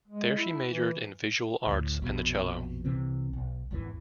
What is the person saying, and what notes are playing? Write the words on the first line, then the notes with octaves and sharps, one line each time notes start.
There she majored in visual arts and the cello.
G#3
E4
E3
D2 A2
A#1 F2 B2
C2 C3 E3 C4
B1
G#1 E2 C3 E3